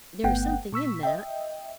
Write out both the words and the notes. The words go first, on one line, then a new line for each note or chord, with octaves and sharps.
There is something in that.
G1 A3 B3 F#5 G5
A#2 C#6 E6 B6
D#5 E5 G5